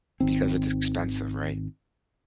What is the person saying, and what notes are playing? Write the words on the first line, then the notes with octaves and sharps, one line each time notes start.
Because it's expensive, right?
G#1 D#3 C4